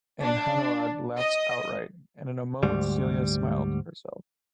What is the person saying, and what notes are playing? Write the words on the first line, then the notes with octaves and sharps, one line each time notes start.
And Hanaud laughed outright, and in a moment Celia smiled herself.
D4
D#5
D2 G#2 G3